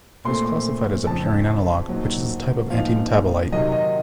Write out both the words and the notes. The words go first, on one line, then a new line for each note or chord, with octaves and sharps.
It is classified as a purine analog, which is a type of antimetabolite.
A#2 A3 C4 C6
F2 C#3 F3 C4 A5
A#2 F#3 C4 D#4
A#2 F3 C4 D#4 F5
C3 D#3 F#3 D#5
D#5